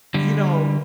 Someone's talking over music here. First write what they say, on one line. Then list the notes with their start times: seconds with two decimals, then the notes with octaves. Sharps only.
you know,
0.14 D3 G3